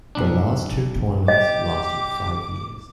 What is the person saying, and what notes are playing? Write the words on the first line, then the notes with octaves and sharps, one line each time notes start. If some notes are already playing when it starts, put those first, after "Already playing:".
The last two tournaments lasted five years.
B1 D4
G4 D#5 D6